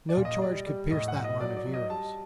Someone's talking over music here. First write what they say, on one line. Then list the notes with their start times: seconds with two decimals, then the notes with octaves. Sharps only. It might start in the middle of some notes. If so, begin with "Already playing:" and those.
No charge could pierce that line of heroes.
0.09 D5
0.17 A#2
0.25 D#5
0.42 G3 D5
0.66 G3
0.91 A2 D#5
1.08 F#5
1.16 A2
1.24 D#5
1.40 F#3 D5
1.57 D5
1.66 F#3
1.74 D#5
1.90 G3 A5